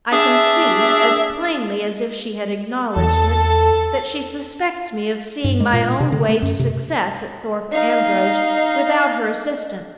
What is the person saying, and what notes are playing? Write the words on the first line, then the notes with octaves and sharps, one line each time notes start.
I can see, as plainly as if she had acknowledged it, that she suspects me of seeing my own way to success at Thorpe Ambrose without her assistance.
D4 G#4 E5
E2 A4
G2
G#3
A#2
C3
D3
A3
F#2
C3
D#4 D#5 F5